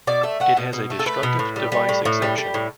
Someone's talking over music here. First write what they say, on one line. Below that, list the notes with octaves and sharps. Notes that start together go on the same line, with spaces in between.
It has a destructive device exemption.
B2 D5
A3 E5
A3 F#5
B2
B2
A3
A4
A3 B4
B2
A2
G3
G3
A2
A2
G3
G3
A2